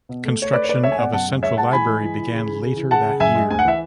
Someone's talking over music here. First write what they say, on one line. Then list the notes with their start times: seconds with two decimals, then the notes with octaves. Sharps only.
Construction of a Central Library began later that year.
0.09 B2
0.25 A3
0.38 A3 C#5
0.53 A3 B4 D5
0.64 C#5
0.69 A3 B4 D5
0.83 A3 C#5 E5
0.92 G#5
0.98 B2 D5 F#5
1.13 F#2 F#5 A5
1.27 G#3
1.43 G#3 C#5 E5
1.57 G#3 F#5 A5
1.72 E3 G#5 B5
1.87 G#3
2.02 E3
2.17 E3
2.32 C#3
2.46 C#3
2.62 C#3
2.76 E3
2.91 C#3 F#5 A5
3.06 C#3
3.20 F#2 E5 G#5
3.35 G#3
3.50 D2 G#5
3.59 F#5
3.65 E3 E5